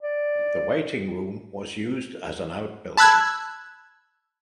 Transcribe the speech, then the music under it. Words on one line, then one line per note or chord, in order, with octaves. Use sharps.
The waiting room was used as an out building.
D5
A5 B5 E6 F#6 G#6